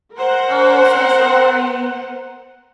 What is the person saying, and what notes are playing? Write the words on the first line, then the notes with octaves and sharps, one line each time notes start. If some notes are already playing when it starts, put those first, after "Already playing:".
Oh, I'm so sorry.
A#4 C5 F#5